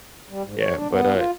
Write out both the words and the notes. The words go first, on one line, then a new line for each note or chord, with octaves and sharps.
yeah, but uh
G3
G#2
C#5
D4
B3
F4